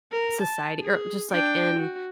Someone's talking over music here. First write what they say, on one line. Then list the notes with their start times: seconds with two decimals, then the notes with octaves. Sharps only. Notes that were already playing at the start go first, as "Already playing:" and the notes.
society or just, like, in
0.12 A#4
0.41 A5
0.81 G#4
1.31 D4 G5
1.79 F#4